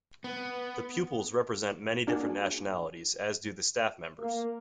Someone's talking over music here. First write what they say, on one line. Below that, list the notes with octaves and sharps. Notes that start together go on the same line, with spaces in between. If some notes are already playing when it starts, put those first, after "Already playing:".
The pupils represent many different nationalities, as do the staff members.
B3
A#3 D4 F#4 G#4
A#3